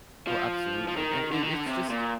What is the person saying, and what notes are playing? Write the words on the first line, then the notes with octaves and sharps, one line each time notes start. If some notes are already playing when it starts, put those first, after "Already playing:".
Oh, absolutely, it it it's just
F3
F3
D#3
D3
D#3
D3
C3
A#2